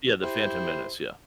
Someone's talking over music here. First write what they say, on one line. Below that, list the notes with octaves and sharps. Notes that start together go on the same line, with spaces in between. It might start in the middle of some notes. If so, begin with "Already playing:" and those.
Yeah, The Phantom Menace, yeah.
E4 G4 C5